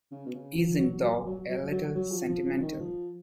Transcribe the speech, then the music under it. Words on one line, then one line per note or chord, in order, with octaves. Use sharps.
Isn't 'thou' a little sentimental?
C#3
B2
C#3
F3
F#3
F#3
F#3
F#3
F#3
F#3
F3
F3
F3
C#3
D#3
F3